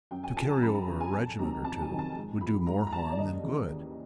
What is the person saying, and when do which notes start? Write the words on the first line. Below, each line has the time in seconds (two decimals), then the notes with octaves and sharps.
To carry over a regiment or two would do more harm than good.
0.11 F#2 G5
0.24 G#5
0.37 C#3 F3 A5
0.49 A#5
0.62 F#2 B5
0.75 A#5
0.88 C#3 F3 A#5
1.01 G#5
1.13 F2 A5
1.39 C3 D#3 F#3 A#5
1.64 F2 A5
1.82 G#5
1.90 C3 D#3 F#3
1.99 A5
2.16 G#2
2.41 F3 B5
2.67 G#2 A#5
2.87 A#5
2.92 F3 A5
3.12 D5
3.18 D#2 D#5
3.43 C#3 E3
3.69 D#2